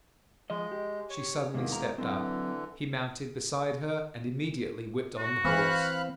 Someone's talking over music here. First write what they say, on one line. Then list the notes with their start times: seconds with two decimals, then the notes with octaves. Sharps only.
She suddenly stepped up; he mounted beside her, and immediately whipped on the horse.
0.50 F3 G#3 D#5
0.72 G4
1.10 C#5
1.54 E2 G#2 C3 D#3 A#3
1.72 G#2 A#4 A#5
1.98 D3 E3 F#3 C4
5.18 F#4
5.45 E3 C4 F5 B5 F#6